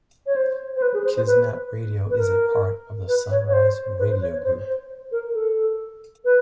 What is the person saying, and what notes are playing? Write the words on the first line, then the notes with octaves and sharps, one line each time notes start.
Kismat Radio is a part of the Sunrise Radio Group.
C#5
C5
C5
B4
G#4
C5
C5
B4
B4
A#4
B4
C#5
C#5
C5
B4
C5
C#5
C#5
C5
C5
A#4
A4
B4